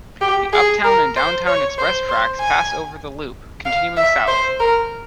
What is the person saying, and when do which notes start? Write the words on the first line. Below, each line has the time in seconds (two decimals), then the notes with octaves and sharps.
The uptown and downtown express tracks pass over the loop, continuing south.
0.21 G4
0.53 G#4
0.84 A#4
1.16 C5
1.47 C#5
1.78 C5
2.09 C5
2.40 G#5
3.65 F5
3.97 E5
4.28 C5
4.60 A#4